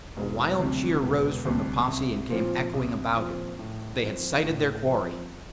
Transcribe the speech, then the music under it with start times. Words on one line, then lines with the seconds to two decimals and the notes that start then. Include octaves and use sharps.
A wild cheer rose from the posse and came echoing about him; they had sighted their quarry.
0.17 E1
0.59 D2 C3 G3
1.02 E1
1.45 D2 C3 G3
1.88 C2
2.30 A#2 F3 C4
2.73 C2
3.16 A#2 F3 C4
3.59 A2
4.01 F3 C4
4.44 A2
4.87 F3 C4